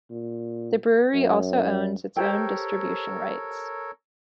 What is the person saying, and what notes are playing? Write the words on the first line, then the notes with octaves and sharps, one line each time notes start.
The brewery also owns its own distribution rights.
A#2
F#2
G4 A4 A#4 C5 C#5 G5